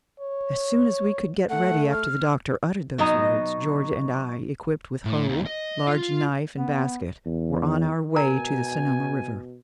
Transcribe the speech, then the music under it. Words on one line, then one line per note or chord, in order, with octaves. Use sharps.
As soon as we could get ready after the doctor uttered those words, Georgia and I, equipped with hoe, large knife, and basket were on our way to the Sonoma River.
C#5
A3 F#5
F6
B2 F#3 D#4 D#5 A#5
A2
D#2
D#5
F4
B3
E2
B2 A#4 G#5 A#5